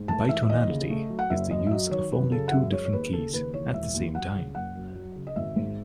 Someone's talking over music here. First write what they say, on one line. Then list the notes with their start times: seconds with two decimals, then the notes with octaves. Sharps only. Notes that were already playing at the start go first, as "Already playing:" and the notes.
Bitonality is the use of only two different keys at the same time.
Already playing: G#2
0.08 A3 A5
0.29 E3 E5
0.43 E5
0.49 D#2 D#5
0.69 C#3
0.90 A3
1.10 F#3
1.19 F#5
1.30 F#1 E5
1.50 F#2 D#5
1.67 E5
1.71 F#3 D#5
1.91 D#3 C#5
2.12 F#2 B4
2.32 C#3 A4
2.48 F#5
2.52 F#2 E5
2.72 G#3 C#5
2.85 C#5
2.93 D#2 B4
3.13 C#3 A4
3.33 D#2 B4
3.53 E3 C#5
3.74 E1 E5
3.94 D#2
4.15 F#3 F#5
4.35 C#3
4.55 F#1 F#5
4.75 F#2
4.95 F#3
5.16 C#3
5.27 D#5
5.36 G#1 E5
5.56 G#2